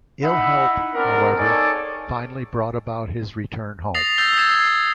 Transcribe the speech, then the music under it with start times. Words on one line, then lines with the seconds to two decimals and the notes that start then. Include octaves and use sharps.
Ill health, however, finally brought about his return home.
0.23 D#4 E4 E5 F#5 B5
0.94 B3 C4 D4 A#4
1.37 D#4 G#4 A4 C#5 D5
3.94 D#6 A6 A#6 C7 F7
4.18 E6 G6 A6 G7
4.37 D#6 E6 G#6 C7 E7